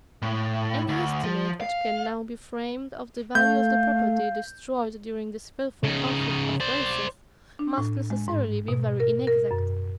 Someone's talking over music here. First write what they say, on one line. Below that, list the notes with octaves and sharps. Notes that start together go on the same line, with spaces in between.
Any estimate which can now be framed of the value of the property destroyed during this fearful conflict of races must necessarily be very inexact.
A2
D2
F3
F5
A3 F5 G6
C#3 D#4
C5 D5
D4
A2
G#3
G#2
B2
A#4
A#4
F#2